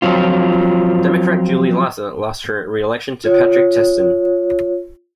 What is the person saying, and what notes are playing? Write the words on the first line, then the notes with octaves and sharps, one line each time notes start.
Democrat Julie Lassa lost her re-election to Patrick Testin.
F3 F#3 C4 F4
F4 C#5